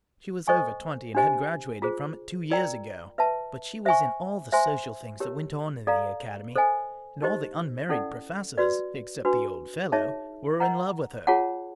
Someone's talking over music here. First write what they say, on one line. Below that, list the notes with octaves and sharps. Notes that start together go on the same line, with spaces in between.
She was over twenty and had graduated from it two years ago, but she was in all the social things that went on in the Academy; and all the unmarried professors, except the Old Fellow, were in love with her.
A4 C5 D#5 G#5 C#6
D4 G4 C5 D#5 G#5
F4 G#4 C5
F4 A#4 D5 G5 A#5
B4 E5 A5
C5 E5 G#5 C#6
C5 E5 G#5 C6
E4 G4 A#4 C#5
A4 D5 F5 A#5
A4 C5 D#5 G#5
D#4 G4 C5 D#5
C#4 E4 A4 D5 F#5
F#4 B4 D5
D4 F#4 B4
D#4 G#4 C#5 E5 A5
A#4 D#5 F#5 A#5
F4 G#4 C#5 F#5 A5